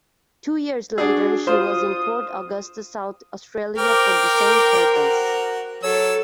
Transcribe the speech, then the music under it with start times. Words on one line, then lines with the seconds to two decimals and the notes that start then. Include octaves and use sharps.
Two years later she was in Port Augusta, South Australia, for the same purpose.
0.98 D4 F#4 G#4
1.47 F4 C5 D#6
3.78 A#4 C5 G5 D6 F6
4.94 F#4
5.83 F#3 A4 C#5 E6